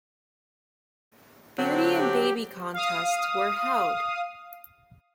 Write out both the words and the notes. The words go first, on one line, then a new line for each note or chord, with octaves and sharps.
Beauty and baby contests were held.
D3 F#3 C4
G4
F5 D#6